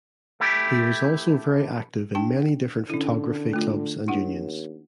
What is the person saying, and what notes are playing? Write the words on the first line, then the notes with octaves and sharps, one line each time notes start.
He was also very active in many different photography clubs and unions.
A3 E4 G4
D4 G5 A5
D3 C#4 E4
A3 F4
D#2 D4 E4 F#5